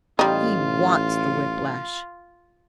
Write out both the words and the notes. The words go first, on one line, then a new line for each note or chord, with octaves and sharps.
He wants the whiplash.'
A1 G3 D#4 F4